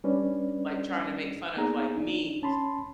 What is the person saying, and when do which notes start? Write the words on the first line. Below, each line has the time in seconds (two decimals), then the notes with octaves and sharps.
like, trying to make fun of, like, me?"
0.04 G3 C#4 D4 B4 D5
1.57 A#3 B3 D#4 G#4 A#5
1.97 D4 D#4
2.42 C#4 A5 B5 C6